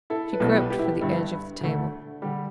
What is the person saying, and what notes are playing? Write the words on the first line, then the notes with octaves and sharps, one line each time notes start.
She groped for the edge of the table.
E4 A4
B4
B1 B2 G3 E4 A4
G4 B4
G4 B4
E4
G4
G1 G2 G3 E4
D2 D3 A3
D3 G3 G4